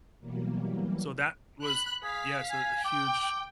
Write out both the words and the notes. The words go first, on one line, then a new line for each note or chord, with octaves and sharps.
So that was yeah, so a huge
B2 E3 F#3 G3 A#3
B5 F#6
G#4 F5 B6
G#5
G5 D6